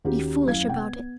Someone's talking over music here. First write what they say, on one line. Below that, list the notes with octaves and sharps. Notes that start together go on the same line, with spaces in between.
Be foolish about it.
D#2 A#3 C#4 F#4 G4
F#2 E4 F5 G#6
C3 F#5 G5
B3